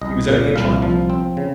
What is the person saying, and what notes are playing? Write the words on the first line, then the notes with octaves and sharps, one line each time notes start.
She was only a child.
C2 D#5
A#2
C2 F5
F3
C4
C#3